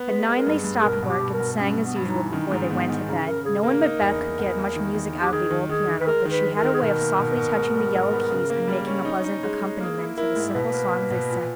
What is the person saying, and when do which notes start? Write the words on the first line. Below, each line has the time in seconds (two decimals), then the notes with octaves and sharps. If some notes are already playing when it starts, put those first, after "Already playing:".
At nine they stopped work, and sang, as usual, before they went to bed. No one but Beth could get much music out of the old piano, but she had a way of softly touching the yellow keys and making a pleasant accompaniment to the simple songs they sang.
Already playing: B3
0.09 G#3 B4
0.27 G#3
0.34 A#4
0.47 G2
0.64 G2
0.80 G#4
0.83 B2 A#4
1.03 B2
1.09 G4
1.21 B2
1.33 A#4
1.40 B2
1.58 G2 C#4
1.77 G2
1.83 B3
1.96 G2
2.08 D#4
2.14 E3
2.33 D#3 C#4
2.40 D#4
2.47 C#4
2.52 G#2 D#4
2.61 C#4
2.70 G#2 B3
2.89 D#3
3.07 C#3 D#4
3.26 C#3 A#4
3.45 C#3 G#4
3.63 A#3 A#4
3.82 D#4
4.01 E2
4.20 D#4
4.39 E2
4.58 A#3
4.76 D#3
4.95 D#3
5.13 D#3
5.22 G4
5.32 D#3 G#4
5.51 D#3
5.69 D#3 G#4
5.87 D#3
6.00 B4
6.06 G#3 A#4
6.25 D#3
6.31 B4
6.44 D#3
6.57 A#4
6.63 D#3
6.74 G#4
6.81 B2 A#4
7.00 A#3
7.19 B2
7.37 B2
7.56 G#2
7.75 G3
7.93 G#2
8.13 B3
8.31 C#3
8.50 A#3
8.68 G3
8.87 C#4
9.05 D#4
9.24 D#4
9.43 G#3
9.62 G#3
9.80 A#3 G#4
9.99 E4
10.17 E4 A#4
10.36 G#2
10.54 B2 B4
10.74 A#3
10.92 A#3
11.10 B2
11.30 A#2